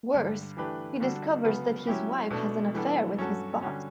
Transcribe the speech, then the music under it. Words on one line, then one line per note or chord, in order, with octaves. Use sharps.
Worse, he discovers that his wife has an affair with his boss.
G2 D3 G3
E3 A3 D4 G4 B4
D3 G3 D4 F#4 A4
C#3 F#3 B3
F#3 C#4 E4 G4
B2 A3 D4 A4
E3 G3 B3 D4 A4
G2 F#3 C#4 F#4 A4
D3 G3 C#4 F#4